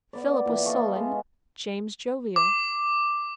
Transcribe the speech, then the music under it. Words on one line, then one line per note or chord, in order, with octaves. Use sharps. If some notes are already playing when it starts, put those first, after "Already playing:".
Philip was sullen, James jovial.
B3 D5
A#2 E3
D#5 F5 A5 C#6
G#3 B3
D6